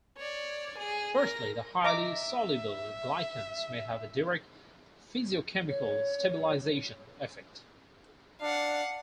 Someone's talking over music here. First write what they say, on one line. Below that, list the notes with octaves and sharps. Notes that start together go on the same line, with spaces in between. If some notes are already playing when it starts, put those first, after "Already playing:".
Firstly, the highly soluble glycans may have a direct physicochemical stabilisation effect.
C#5 D5
G#4
A#4 A#6
D#5 E5 A#5 D6
C#5
D4 F5 F#5